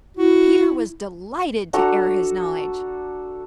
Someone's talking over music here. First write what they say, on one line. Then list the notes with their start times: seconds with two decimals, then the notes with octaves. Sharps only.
Peter was delighted to air his knowledge.
0.17 E4 F#4
1.73 D4 F#4 A4 A#5